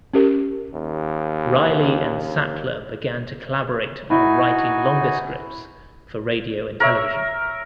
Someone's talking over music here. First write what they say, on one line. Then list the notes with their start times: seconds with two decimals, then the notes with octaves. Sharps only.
Reilly and Sattler began to collaborate on writing longer scripts for radio and television.
0.14 C#4 G4 A#4
0.74 D#2
4.10 D#4 E4 F#4 G#5
6.80 A#4 C#5 E5